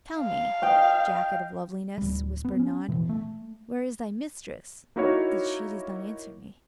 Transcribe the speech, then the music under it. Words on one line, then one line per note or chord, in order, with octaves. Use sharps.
"Tell me, Jacket-of-Loveliness," whispered Nod, "where is thy mistress that she does not answer me?"
F5
D#5 G5
D1 G3
B3
C#4
B2 E3
A3
A#3 D#4 E4 F#4 A#4 C#5